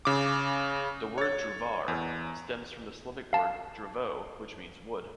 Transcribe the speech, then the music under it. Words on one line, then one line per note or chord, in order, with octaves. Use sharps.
The word Drvar stems from the Slavic word "drvo" which means "wood".
C#3 D6
C#5 A6
E2
F5 A5